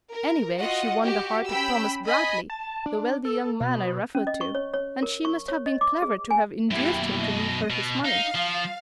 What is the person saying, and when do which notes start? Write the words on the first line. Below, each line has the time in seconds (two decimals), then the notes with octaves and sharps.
Anyway, she won the heart of Thomas Bradley, the wealthy young man I referred to, and she must have been clever to have induced him to leave her his money.
0.12 A#4
0.58 F4 F#4 D#5 F#5
1.02 F#4 G4
1.51 C#4 G5 B5 E6
2.07 D#5 G#5 B5
2.50 A5
2.86 D4
3.25 A4
3.61 B2
4.15 C#4
4.27 D#5
4.41 C#6
4.55 C#5
4.74 C#5
5.03 A#4
5.25 C#6
5.48 C#5
5.66 D#5
5.81 D6
6.02 G#4
6.31 G#5
6.71 F#2 B2 A#3 E4 G4
7.19 D#5
7.70 B2
8.05 D#4 F5
8.34 F3